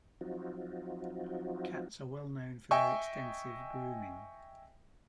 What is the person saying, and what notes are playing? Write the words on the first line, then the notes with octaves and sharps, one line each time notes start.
Cats are well known for their extensive grooming.
F3 F#3 C4 D#4 F4 F#4
D#5 E5 G5 G#5 C#6